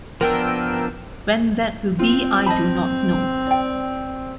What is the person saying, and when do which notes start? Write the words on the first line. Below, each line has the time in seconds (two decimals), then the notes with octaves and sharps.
When that will be I do not know.
0.21 F3 B3 D4 A#4 G5 E6
1.99 C4 F4
2.46 D#5 A5 B5
3.47 D5 G5